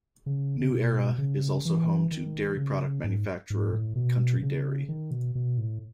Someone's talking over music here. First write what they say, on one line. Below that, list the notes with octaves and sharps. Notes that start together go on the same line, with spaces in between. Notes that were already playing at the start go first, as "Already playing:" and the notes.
New Era is also home to dairy product manufacturer, Country Dairy.
C#3
C#3
B2
C#3
E3
D#3
C#3
G#2
G#2
A2
B2
C#3
D#3
B2
B2
A2